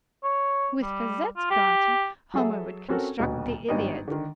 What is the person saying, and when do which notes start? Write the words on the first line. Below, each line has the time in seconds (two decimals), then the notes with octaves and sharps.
With Cosette's garter, Homer would construct the Iliad.
0.24 C#5
0.82 G3
1.36 F4
1.50 G4
2.34 F#3 G#4 A4 E5
2.88 C4 C#4 F#4 A4 A#4
3.19 D#1 D2 B2
3.69 G#1 G2 G3 B3 G4 D#5
4.08 D3 D#3